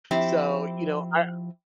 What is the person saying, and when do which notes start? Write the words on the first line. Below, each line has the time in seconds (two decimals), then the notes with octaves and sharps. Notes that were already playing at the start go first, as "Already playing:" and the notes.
So, you know, I
0.11 F3 C4 E4 G4